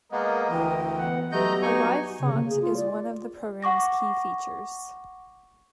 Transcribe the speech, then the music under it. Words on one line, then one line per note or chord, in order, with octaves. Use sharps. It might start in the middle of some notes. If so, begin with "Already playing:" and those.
A 'LiveFont' is one of the program's key features.
G#3 A#3 B3 A#4 D#5
D2 E3 G5
B3 F#5
F#3 G3 A3 B3 G4 D#5 A#5 G6
D#4 F#4 G#5 C#6
C#3
A#3
G#4
F4
D5
F#5 C#6 D6 A#6